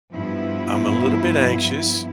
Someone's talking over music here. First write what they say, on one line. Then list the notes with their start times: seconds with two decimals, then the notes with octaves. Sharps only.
I'm a little bit anxious.
0.13 G2 F3 B3 E4